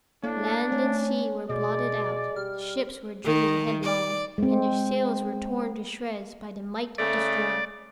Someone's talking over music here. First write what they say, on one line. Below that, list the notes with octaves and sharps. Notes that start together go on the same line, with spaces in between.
Land and sea were blotted out, the ships were driven headlong, and their sails were torn to shreds by the might of the storm.
A2 A#3 D4
A3 C#4
B2 G#3 D5
G3 F6
D#3
D5
G#3 C4
C#3 A3 D5